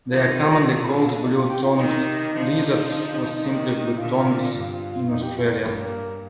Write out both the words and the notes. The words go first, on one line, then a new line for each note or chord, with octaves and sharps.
They are commonly called blue-tongued lizards or simply blue-tongues in Australia.
C3 D#3 F4
A#2 D3
D4
C3 D#4
F4
G4
F4
C3 D#3 D#4
D3 F3
C3 D#3
A#2 D3 F4
G2
F2 D#4
G4
F4
A3
A#3
G2